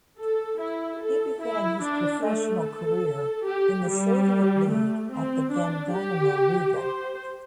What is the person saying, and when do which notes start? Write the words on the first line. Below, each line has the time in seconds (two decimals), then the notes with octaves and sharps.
He began his professional career in the Soviet League at the then Dinamo Riga.
0.18 A4
0.60 E4
1.01 A4
1.41 E4
1.83 D4
2.24 A3
2.65 A4
3.47 G4
3.89 G3
4.71 A3
5.11 C4
5.52 D4
5.94 G4
6.76 C5